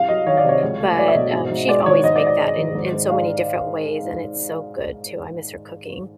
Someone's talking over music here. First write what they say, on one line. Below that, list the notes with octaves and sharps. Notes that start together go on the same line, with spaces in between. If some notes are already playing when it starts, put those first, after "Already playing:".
but, um, she'd always make that in in so many different ways, and it's so good too, I miss her cooking.
Already playing: C2 F5
F#3 D#5
D#3 C#5
D5
C3 C#5
C#2
A3
F#3 D5
E5
B2 D#5
G#2
G#2
G#3 D5
D5
D#3 C#5
G#2 D#5
D5
G#2
D5
G#3
D#3
G#2
G#2
G#3 F5